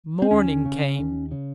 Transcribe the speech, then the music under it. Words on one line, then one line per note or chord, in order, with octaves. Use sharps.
Morning came!
C4
D#2 C#4
C#3
D#2
C#3